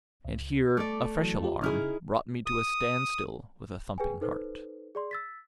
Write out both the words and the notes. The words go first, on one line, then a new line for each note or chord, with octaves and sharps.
And here a fresh alarm brought me to a standstill with a thumping heart.
C#2
A3 D5 D6
E3 F#3
E2 F4 G4
C#3 D#4 E4 G#4 F6
D#6
G#4 B4 G5 G#5
D#4 A4 B4 C5
G#4 D5 C6
E6 A6 B6